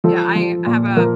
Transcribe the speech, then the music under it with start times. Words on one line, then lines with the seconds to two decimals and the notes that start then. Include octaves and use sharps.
Yeah, I I have a
0.04 F3 A4
0.36 F3
0.66 A#2
0.96 F3 A#4